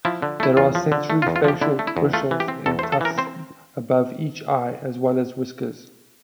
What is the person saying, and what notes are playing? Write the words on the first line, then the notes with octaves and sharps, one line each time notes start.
There are sensory facial bristles in tufts above each eye as well as whiskers.
F3 E4
D3
A3 E4
E2 F4
F3
D3
A3
F4
E2
F4
F3 G4
D3 E4
A3
E4
E2
A3 F4
E3
G4
C4
E2 A4
C5
A3
A4
E3 A#4
C4 C5